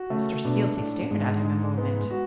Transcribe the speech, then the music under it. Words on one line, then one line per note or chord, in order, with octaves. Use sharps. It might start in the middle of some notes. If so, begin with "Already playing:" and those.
Mr. Skeelty stared at him a moment.
Already playing: F#4
C#3 A3
B2 D4
A2 D4
G#2 G#3
G#3
B3
F#4